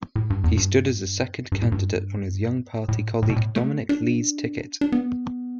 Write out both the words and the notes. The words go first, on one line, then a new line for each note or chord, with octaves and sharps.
He stood as a second candidate on his young party colleague Dominic Lee's ticket.
A2
G2
E2
G2
G2
A2
G2
A2
A2
B2
A2
A3
D4
D4
B3